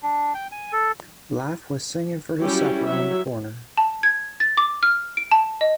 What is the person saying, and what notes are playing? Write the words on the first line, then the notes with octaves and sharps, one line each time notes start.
Life was singing for his supper on the corner!
D4
G5
G#5
A4
F#3 G3 C#4 E4 G4
F#3 E5
A5
G#6
A6
D6
F6
D7
A5
D#5